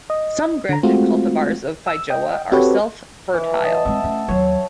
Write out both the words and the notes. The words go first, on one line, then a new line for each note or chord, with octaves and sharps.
Some grafted cultivars of feijoa are self-fertile.
D#5
D3 A#5
G#3 A3 C4 F4 F#4
E6
D#5 G5
C4 F#4 G4 A4 B4 C#5
E3
D#5 F#5 A5
G#3 C4 E5
A3 C#4
D#2 F#3 C#5 C6